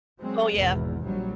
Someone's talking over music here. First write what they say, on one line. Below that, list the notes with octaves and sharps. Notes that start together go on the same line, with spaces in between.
Oh, yeah.
F#3 G#3 C4
G#1 E2 B2
A#1 F#3 G3